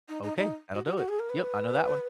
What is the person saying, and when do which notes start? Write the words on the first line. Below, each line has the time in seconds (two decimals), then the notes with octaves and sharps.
Okay, that'll do it, yep, I know that one.
0.08 D#4
0.22 D#4
0.37 D#4
0.74 F#4
0.85 F#4
0.97 F#4
1.08 G#4
1.19 A#4
1.29 B4